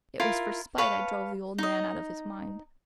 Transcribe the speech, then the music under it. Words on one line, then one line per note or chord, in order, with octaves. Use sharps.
It was for spite I drove the old man out of his mind....
E4 F4 A#4
B4 C#5 F5 A5
D#4 D#5